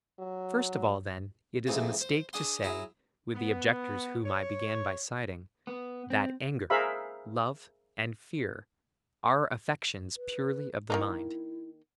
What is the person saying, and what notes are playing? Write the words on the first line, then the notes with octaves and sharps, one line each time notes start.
First of all, then, it is a mistake to say, with the objectors whom I began by citing, that anger, love and fear are affections purely of the mind.
F#3
F2 G#2 C3 E3 A3
C5
D4 G#4 F#5 C6
F#3 E4 G#4
B3
C#5
B3
C4
G#4 A#4 C5 E5 F5 B5
B4
D#3 A#3 D#4 E4